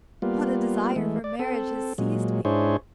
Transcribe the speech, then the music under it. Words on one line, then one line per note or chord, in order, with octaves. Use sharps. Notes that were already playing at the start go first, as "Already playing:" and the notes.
What a desire for marriage has seized me!
G3 A#3 B3 F4
E3 G#3 A3
D5
C4 A4
A#2 F#3 G#3
G#2 D4 E4 G#4 C5 C#5